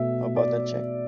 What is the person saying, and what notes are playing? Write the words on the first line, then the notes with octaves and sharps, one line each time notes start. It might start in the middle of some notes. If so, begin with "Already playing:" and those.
How about that check?
Already playing: B2 A3 E5
D5